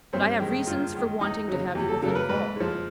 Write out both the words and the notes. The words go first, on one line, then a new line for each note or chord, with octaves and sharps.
But I have reasons for wanting to have you within call.
G2 C4
D#3 G#3
G2 F4
D#3 G#3
E2 D#4
C#3 F#3
E2 G4
A4
C#3 F#3 A4
A#4
B4
G#2 B4
F3 G#3